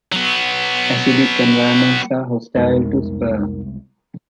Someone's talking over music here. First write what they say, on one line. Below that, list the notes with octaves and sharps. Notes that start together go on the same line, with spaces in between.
Acidic environments are hostile to sperm.
F#3 B3
C2 F2 G#3 B3 D#4 A#4